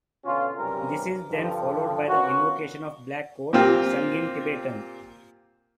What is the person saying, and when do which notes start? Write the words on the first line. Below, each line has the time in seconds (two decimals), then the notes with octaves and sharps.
This is then followed by the "Invocation of Black Coat", sung in Tibetan.
0.25 B2 D3 C#4 F4
0.58 B1 G2 C3 G3 C#4 A#4
1.28 G2 D3 F3
2.08 A#3 B3 C#4 F4 F#4
3.53 A#2 A#3 C4 F4 G4